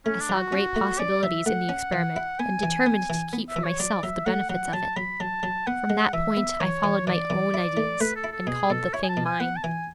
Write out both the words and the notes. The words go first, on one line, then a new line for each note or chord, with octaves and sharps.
I saw great possibilities in the experiment and determined to keep for myself the benefits of it. From that point I followed my own ideas, and called the thing mine.
A3 C#4
D4
F#3
F#4
C#4
A3
C#4 D5
F#3 E5
A3 F#5
C#4
E3
E4
B3 G#5
E3
B3
E3
B3
E5
E3
C#5
F#3 D5
F#3 E5
A3 F#5
F#3 F#5
F#3 A5
F#3 B5
F#3 A5
F#3
B3 F#5
G#3
E3 E5
B3
E3 C#5
E3
E3 D5
E3
E4
A3
A3 B4
A4
E4
A4
B2 G#4
B2 A4
E4 C#5
G#5
A5
B2
G#5
B3 F#5
A5
E3 G#5